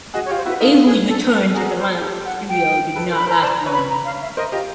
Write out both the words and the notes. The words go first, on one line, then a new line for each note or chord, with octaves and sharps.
Avery's return to the Lantz studio did not last long.
F#4 G#4 D#5
C#5
F4 G4
C5
E4 F#4
B4
D#4 F4 A4
G#4
A4
A4
A4
F#4 G#4 A#4
C5
G4 A4
F#5
G5
A4 B4
A#4 C5
B5
A#4 C5 A#5
C5 D5 A5
A#5
B4 C#5
B5
A#5
F5
E5
A#4 C5 D#5
F4 G4 D#5